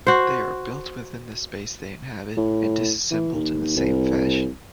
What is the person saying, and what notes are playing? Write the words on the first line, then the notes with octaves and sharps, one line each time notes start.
They are built within the space they inhabit and disassembled in the same fashion.
F#4 C5
A2
E3
D#2
C2